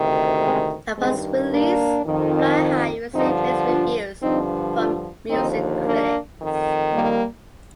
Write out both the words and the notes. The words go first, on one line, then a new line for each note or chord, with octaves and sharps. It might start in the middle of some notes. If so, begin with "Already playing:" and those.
Upon its release, "Fly High" received mixed reviews from music critics.
Already playing: D2 C3 D#3
G#3 C4
G2 D#3 G#3 C4
A#3 D4
F2 D#3
G2 D3 F3 C4 D#4
D4 F4
G2 D3 F3 C4 D#4
D4 F4
D#2 D3 F3 C4 D#4
A#3 D4
F2 D#3
G3 A#3